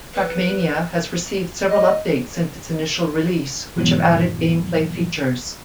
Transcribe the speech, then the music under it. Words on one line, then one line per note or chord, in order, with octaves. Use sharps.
Trackmania has received several updates since its initial release which have added gameplay features.
B4
D#5
E2 G#2 B2 E3 F#3